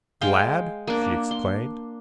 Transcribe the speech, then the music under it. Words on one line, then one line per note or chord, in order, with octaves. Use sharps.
"Glad!" she exclaimed.
G#3 F5 G5 C6
A#3 D4
C6